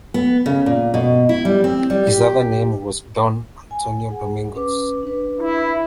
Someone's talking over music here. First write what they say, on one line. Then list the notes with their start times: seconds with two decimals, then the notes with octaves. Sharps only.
His other name was Don Antonio Domingos.
0.14 B3
0.46 C#3
0.66 A#2
0.94 B2
1.29 E4
1.45 G3
1.64 C4
1.90 G3
2.07 G4
3.71 G#5
4.10 G#4 F#5
4.55 C#4 B4 D6
5.03 D4 B4
5.41 E4